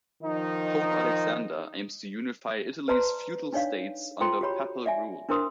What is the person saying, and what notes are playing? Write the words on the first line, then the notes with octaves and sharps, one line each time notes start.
Pope Alexander aims to unify Italy's feudal states under papal rule.
D#3 F3 D#4
B4 C5 D5 A5 A#5 C6
D4 D#4 C#5 D5 F5
F4 A4 C5 G5 A#5 C6
F#4 G4 C#5 B5
D5 E5 G#5
D4 E4 A#4 C5 C6 D#6